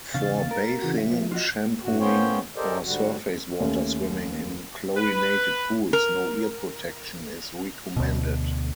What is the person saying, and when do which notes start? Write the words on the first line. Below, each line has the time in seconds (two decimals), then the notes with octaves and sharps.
For bathing, shampooing, or surface-water swimming in chlorinated pools, no ear protection is recommended.
0.14 E2 C#3 F5 A6
0.51 A#4
0.82 C#3 E3 F#4
0.98 E5
1.11 F3
1.32 F4 F#4 D#5
1.84 G2 F#4
2.00 A#3 B3 C#4 C5 C#5 G5
2.56 G4 A4 A#4 C5 D5 D#5
2.84 G#2 D3 G3 F#4
3.60 D#2 A3 C#4
4.97 B4
5.93 A#4
7.97 D2 B2